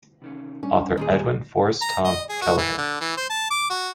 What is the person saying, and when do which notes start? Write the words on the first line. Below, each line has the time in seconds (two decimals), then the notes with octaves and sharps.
Author Edwin Forrest-Tom Kelleher.
0.22 C3 D#3 C#4
0.63 G3 C#4 D4
0.97 D#2 A#2 G#4
1.09 G3 G4 B4 G#5
1.81 A#5
2.05 D#5
2.29 G#4
2.41 F#4
2.58 E3
2.78 D3
3.01 E3
3.17 C5
3.29 A5
3.50 D6
3.70 F#4